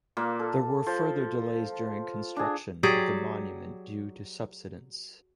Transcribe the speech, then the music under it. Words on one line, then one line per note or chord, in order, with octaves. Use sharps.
There were further delays during construction of the monument due to subsidence.
A#2 A#3
A4
F3
D4 G#4
F#3 G4 G#4 D5